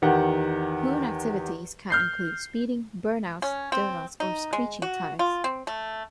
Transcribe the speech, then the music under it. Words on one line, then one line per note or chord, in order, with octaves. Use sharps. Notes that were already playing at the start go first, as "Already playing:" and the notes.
Hoon activities can include speeding, burnouts, doughnuts or screeching tyres.
E2 D#3 G4 F#5
F6 G6 C7
C#4
C4
D#4
G#3
F#4
F4
C4
A3